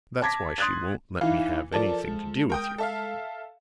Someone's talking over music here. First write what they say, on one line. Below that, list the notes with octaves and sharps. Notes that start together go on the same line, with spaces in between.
That's why she won't let me have anything to do with you.
A5 D6 G#6 A#6 B6
C6 D#6 F#6 G#6 A6
E3 D#4 E4 F5
F3 A4 A#4 D5
G#3
A#4 G5 D#6
A4 E5 F5